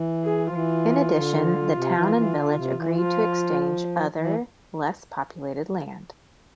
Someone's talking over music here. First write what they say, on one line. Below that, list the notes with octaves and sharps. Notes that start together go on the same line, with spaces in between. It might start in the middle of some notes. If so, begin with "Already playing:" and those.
In addition, the town and village agreed to exchange other less populated land.
Already playing: E3
G#4
F3
E3 F4
D3
C3
E3
E3
D3
C3
E3
F3 F4
E3